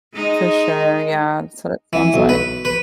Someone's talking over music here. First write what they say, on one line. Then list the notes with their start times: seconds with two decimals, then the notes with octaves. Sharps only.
For sure, yeah, so, that sounds, like
0.14 G#3 D#4
1.93 E3
2.14 B1
2.29 B4
2.65 B4